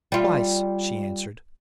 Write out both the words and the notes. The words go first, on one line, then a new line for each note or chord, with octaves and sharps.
"Twice," she answered.
G3 F4